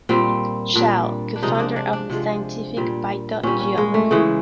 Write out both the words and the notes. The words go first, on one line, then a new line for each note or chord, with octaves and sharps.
Schouw, co-founder of the scientific phytogeography.
A#2 G3 C4
A#2 G3 D4
D4
C3 F3 G#3 D#4
D#4
D4
D4
D4
C3 F3 G#3
A#2 G3
A#2 G3 C#4
C#4
G#3
A3
C#3 E3 G#3